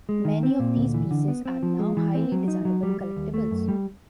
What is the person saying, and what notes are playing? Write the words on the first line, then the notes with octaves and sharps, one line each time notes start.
Many of these pieces are now highly desirable collectibles.
G#3
D#3
C4
A#2
D2
E3
D3
B3
C4
F3
G#3
E3
C4
F#3
D#4
F#3
G3
G3
D#2
A3
F#2
G3